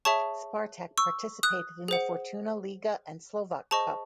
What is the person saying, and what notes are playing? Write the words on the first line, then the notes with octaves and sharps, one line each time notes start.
Spartak participated in the Fortuna Liga and Slovak Cup.
G#4 C#5 E5 A5 C#6
C#6 E6
D#6 F#6
G#4 C5 F#5
G#4 C5 D#5 A5 C#6